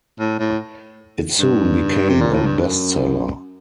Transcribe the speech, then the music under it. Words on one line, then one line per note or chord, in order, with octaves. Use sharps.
It soon became a bestseller.
A2
A2
G2
C3
A#2
A2
G2
F#2